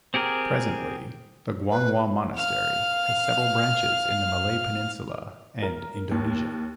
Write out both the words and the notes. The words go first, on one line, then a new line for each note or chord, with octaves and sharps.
Presently, the Guanghua Monastery has seven branches in the Malay Peninsula and Indonesia.
C4 G4 G#4 A#4
B4
F5 F6
A#4
D#2